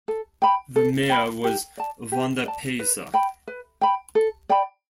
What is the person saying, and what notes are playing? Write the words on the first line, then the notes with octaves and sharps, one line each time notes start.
The mayor was Vondapeysa.
A4
G5 B5
A4
G5 B5
G4
D5 A5
G4
D5 A5
B4
G5 B5
B4
G5 B5
A4
D5 G5 B5